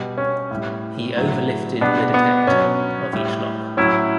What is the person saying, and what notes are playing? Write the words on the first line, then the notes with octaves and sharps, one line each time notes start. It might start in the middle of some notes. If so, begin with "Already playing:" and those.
He overlifted the detector of each lock.
Already playing: B2 G3
C#4
A2 G3
A2 F#3
B2 G3 B3 D4
B3
B2 F#3 C#4
A2 G3
A2 F#3 C#4 E4